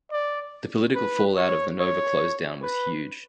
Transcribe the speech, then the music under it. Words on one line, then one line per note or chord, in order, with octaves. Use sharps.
The political fallout of the Nova closedown was huge.
D5
B4
C#5
C#5
B4